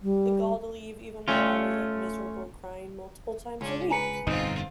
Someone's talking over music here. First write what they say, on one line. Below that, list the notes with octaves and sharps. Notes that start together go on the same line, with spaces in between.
the gall to leave even though I was, like, miserable, crying multiple times a week.
G3
A3 C#4 F4
C#2 C#4 D4
B4 G#5 A#5 C#7
G1 F2 B2 C4 D#4 F4